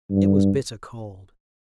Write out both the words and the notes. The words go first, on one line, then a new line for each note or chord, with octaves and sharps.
It was bitter cold.
G2